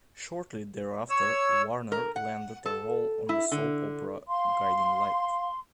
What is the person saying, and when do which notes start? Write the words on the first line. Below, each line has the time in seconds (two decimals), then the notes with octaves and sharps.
Shortly thereafter, Warner landed a role on the soap opera "Guiding Light".
1.10 C#5 E6
1.92 A#4
2.16 F#5
2.66 A4
3.29 E4
3.52 D3
4.28 F5 C6